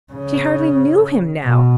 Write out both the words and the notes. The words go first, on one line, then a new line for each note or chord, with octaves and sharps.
She hardly knew him now!
C#3
B2